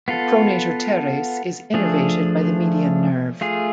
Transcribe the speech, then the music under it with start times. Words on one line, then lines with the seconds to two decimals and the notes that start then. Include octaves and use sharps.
The pronator teres is innervated by the median nerve.
0.08 B3 F4 A4
1.74 F3 A3 D4 G#4
3.41 A3 F4 G#4